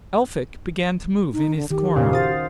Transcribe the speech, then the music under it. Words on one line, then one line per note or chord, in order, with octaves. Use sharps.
Elphick began to move in his corner.
D#4
D3
D#3 G4
F2 A#2 C#3 C#4 F5
F#4 C5 F5 D#6 A6